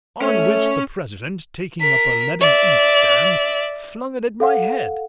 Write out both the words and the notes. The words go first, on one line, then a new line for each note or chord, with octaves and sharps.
On which the President, taking up a leaden inkstand, flung it at my head.
A3 C#4 C#5
A#4 B6
D5 E5
A4 F5 F#5